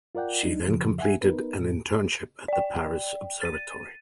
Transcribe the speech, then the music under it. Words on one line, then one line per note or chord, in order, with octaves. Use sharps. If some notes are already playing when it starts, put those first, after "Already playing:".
She then completed an internship at the Paris Observatory.
F4 A#4 D5 F#5 G5
F#3 D4 D#4
F2 C#3 F3
E5 F#5 G#5
B3 D#4 A#4 B4
F#2 A2
D5 G5
A6 D#7